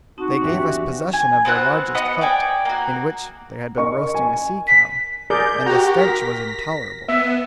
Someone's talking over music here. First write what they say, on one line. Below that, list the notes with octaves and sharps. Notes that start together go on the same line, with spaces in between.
They gave us possession of their largest hut, in which they had been roasting a sea-cow, and the stench was intolerable.
C4 D#4 F#4 A5
E2 E3 D4 G4 E5
G#5
B3 C4 F#4 F#6
B3 D#5 F#5 D#6
D5 G5 G#5
A#3 F#4
A#4 D#5 C#6
G#5
B6
G#4 A#4 D5 G6
F#4 G4 A#5
A#4 A#6 B6
B3 E5